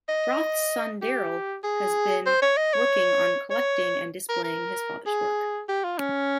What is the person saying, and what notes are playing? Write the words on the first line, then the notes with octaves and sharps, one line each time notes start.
Roth's son Darryl has been working on collecting and displaying his father's work.
D#5
G4
G#4
C5
C#5
D#5
C#5
C#5
A#4
A#4
G#4
G4
F4
C#4